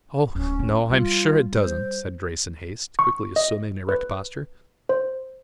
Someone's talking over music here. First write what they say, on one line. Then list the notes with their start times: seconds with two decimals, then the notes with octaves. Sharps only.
"Oh no, I am sure it doesn't," said Grace in haste, quickly assuming an erect posture.
0.35 D1 C#4
0.59 C4
0.89 G3 F4
1.58 C5
2.99 C#6
3.36 D#5
3.89 B4
4.89 C5